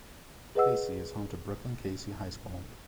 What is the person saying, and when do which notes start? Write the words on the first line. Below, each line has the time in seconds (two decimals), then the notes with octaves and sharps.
Cayce is home to Brookland-Cayce High School.
0.55 G#4 B4 D#5 F#5 E6